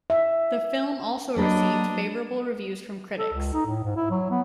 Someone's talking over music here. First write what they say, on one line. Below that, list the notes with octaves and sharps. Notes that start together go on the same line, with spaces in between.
The film also received favourable reviews from critics.
E5
F#3 A#3 D4 A4 B4 D#5
A4
C#2
D#4
A2
G#2
E4
F#3
B3